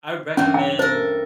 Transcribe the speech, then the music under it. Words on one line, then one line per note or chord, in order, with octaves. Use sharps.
I recommend,
G2 E3 C4 C#4
G5
A4 A#4 C5